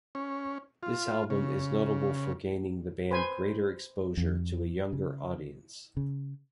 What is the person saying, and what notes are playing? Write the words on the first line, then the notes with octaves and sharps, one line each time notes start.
This album is notable for gaining the band greater exposure to a younger audience.
C#4
F4
C#3
B4 C5 G#5
F2
C#3
C#3